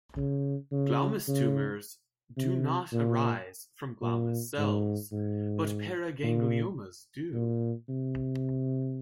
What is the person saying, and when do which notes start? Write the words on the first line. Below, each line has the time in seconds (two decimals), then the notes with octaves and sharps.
Glomus tumors do not arise from glomus cells, but paragangliomas do.
0.17 C#3
0.72 C#3
1.28 C#3
2.37 C3
2.93 A#2
4.02 A#2
4.58 G#2
5.12 G#2
6.23 A#2
7.34 A#2
7.89 C3